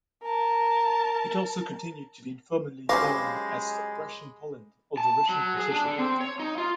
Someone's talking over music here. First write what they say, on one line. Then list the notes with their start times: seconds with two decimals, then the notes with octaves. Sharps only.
It also continued to be informally known as Russian Poland or the Russian partition.
0.23 A#4 A5
2.89 F#3 G#3 C#4 G4 C5 F5 B5 A#6
4.97 A5
5.29 F#3
5.57 G#4
5.70 D4
5.86 D3
5.98 C4
6.21 C#5
6.40 D#4
6.58 F4